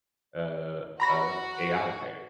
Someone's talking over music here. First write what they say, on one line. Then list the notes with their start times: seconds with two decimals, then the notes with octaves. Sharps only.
uh, of AI.
1.00 F#4 A#5 B5 A#6